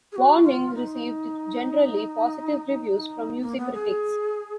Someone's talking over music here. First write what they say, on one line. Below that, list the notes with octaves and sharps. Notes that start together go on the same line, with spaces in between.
"Warning" received generally positive reviews from music critics.
G#4
F#4
F4
D#4
A#3
B3
G#4